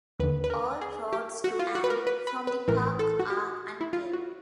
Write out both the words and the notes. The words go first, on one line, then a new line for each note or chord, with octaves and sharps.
All roads to and from the park are unpaved.
D#2 D3 B4
B4
A#4
G#4
G4
F#4
F4
F#4
B4
A#4
B4
B4
B4
A1 A2 E3 A#4
A4
F#4
G4
E4
F4
F#4